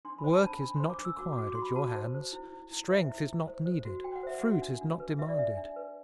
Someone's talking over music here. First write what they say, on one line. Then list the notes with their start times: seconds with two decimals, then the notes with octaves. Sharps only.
Work is not required at your hands; strength is not needed; fruit is not demanded.
0.05 D4 C6
0.18 B5
0.24 C5
0.33 A5
0.43 D4 B5
0.62 D4 B5
0.76 C5 C6
0.90 D6
0.99 D4
1.05 E6
1.18 F#4 D6
1.33 D6
1.38 F#4
1.47 D6
1.55 F#4 C6
1.62 B5
1.75 F#4 A5
1.95 C5
2.14 C5
2.33 E4
2.52 E4
2.71 E4
2.90 C5 E5
3.09 E4
3.28 E4
3.48 C5
3.66 C5
3.85 F#4
4.04 F#4 G5
4.16 F#5
4.23 C5 E5
4.38 F#4 F#5
4.62 D4
4.81 D4
5.00 B4
5.19 B4 E5
5.28 D5
5.38 D4 E5
5.57 D4
5.76 B4